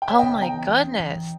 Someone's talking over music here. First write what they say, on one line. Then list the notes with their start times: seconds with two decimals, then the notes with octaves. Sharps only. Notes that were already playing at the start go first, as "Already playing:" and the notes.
Oh my goodness.
0.02 G5
0.08 C#3 C#5 E5
0.18 D#5 G5
0.23 C#3
0.39 B3 G5 A#5
0.54 E3
0.69 E3
0.84 C#4
1.00 E3
1.15 E3